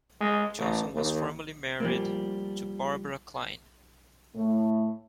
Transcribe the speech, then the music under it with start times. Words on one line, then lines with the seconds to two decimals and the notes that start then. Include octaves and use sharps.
Johnson was formerly married to Barbara Kline.
0.21 G#3
0.57 A1
0.94 D#2
1.80 F3 G3 A#3
4.35 A2 A3